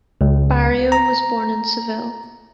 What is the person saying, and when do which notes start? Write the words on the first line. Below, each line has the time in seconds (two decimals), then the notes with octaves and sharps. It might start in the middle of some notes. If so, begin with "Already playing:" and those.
Barrio was born in Seville.
0.21 C#2
0.92 A#5